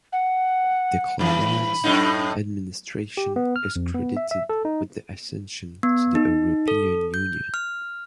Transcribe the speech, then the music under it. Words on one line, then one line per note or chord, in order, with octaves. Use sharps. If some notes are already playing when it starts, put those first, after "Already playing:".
The Clerides administration is credited with the ascension to the European Union.
F#5
G2 E3 B5
F#2 A2 D#4
G4
B3
F6
F2
B3
E5
E5
A4
D#4
B3
D#4
A4
G6
F6